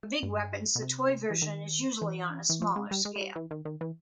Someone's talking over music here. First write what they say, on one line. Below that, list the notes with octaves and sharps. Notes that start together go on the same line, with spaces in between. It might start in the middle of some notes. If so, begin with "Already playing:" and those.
For big weapons, the toy version is usually on a smaller scale.
G2
B2
C3
E3
D#3
E3
E3
F3
G#3
G3
G#3
G#3
G3
E3
D#3
D#3
E3